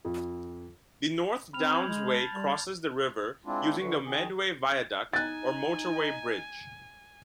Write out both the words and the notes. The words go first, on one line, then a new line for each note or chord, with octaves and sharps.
The North Downs Way crosses the river using the Medway Viaduct or motorway bridge.
F2
C4 B5 F6 F7
G6 G#6 F#7
G#3
A5 A6
G3
G#3 C4 D4 E4 F4
D3 E3 F#4
D#3 G#4
D#4 G#5 F#6 A6